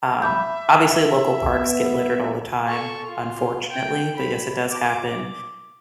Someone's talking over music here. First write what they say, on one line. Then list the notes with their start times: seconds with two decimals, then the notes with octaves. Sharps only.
um, obviously, local parks get littered all the time, unfortunately, but, yes, it does happen,
0.22 E5 B5 D6 G6
1.57 B3
2.68 A4 C#6
3.06 F4
3.71 G5
4.16 C4 B5
4.71 D6